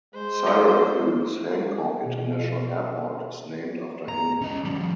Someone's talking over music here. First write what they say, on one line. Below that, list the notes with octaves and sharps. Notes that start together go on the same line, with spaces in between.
Syracuse Hancock International Airport is named after him.
G#3 C5
B2
A#5
C#4 D#5
F3 G3